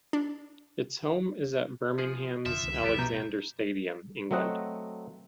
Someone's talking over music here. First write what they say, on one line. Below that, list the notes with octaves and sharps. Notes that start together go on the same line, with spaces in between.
Its home is at Birmingham's Alexander Stadium, England.
D4
F3 G#4
F1 D3 F3 E5
C#2 D#3
C2 F#2 F3 G3 B3 G4
B2 A#5 G6
F#3 A3 C4 D#5 F#5